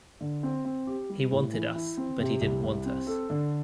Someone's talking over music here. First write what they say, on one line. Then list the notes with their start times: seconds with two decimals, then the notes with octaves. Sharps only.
He wanted us but he didn't want us.
0.21 D3
0.43 C4
0.65 C4
0.87 G4
1.10 G3
1.31 A2
1.53 E3
1.75 E4
1.97 C4
2.19 C3
2.41 C2
2.63 C2
2.85 C4
3.07 A4
3.30 D3